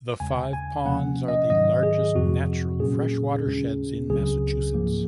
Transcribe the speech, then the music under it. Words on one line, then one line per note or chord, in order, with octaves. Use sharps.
The five ponds are the largest natural fresh watersheds in Massachusetts.
D#2 C#3 G#3 G#5
G#5
C3 F3 A#3 C#4 F#5
D#5
G#2 D#3 F#3 D#5
G#4
F2 C3 F3 C4 F#4
A#2 F#3 A#3 C#4 G#4
D#2 C#3 G#3 C#4
C#2 C#3 F#3 C4 G#4
G#2 F3 A#3